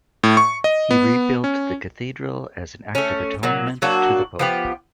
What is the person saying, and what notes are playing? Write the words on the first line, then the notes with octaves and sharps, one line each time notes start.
He rebuilt the cathedral as an act of atonement to the Pope.
A2
C#6
D#5
B3
C#4
A3 C#4
A#2 F#3
F#3 A#3 D4 F#4
F3 B3 G4